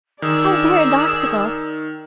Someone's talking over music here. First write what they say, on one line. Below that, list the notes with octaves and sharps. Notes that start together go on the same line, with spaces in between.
How paradoxical!
D#3 G#4 D5 E6